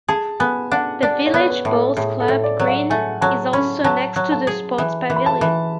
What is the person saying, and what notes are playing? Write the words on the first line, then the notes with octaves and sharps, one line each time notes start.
The village bowls club green is also next to the sports pavilion.
G#4 A5
B3 G#5
D4 F#5
D4 D5
C#5
B3
C#5
B4
A2
A4
A2 G#4
A4
A2
D5
F#3
F#5
A3 G#5
F#3 A5
C#4 B5
F#3 A5
F#3
A5
G#4
E3
E3
B5
A5
E3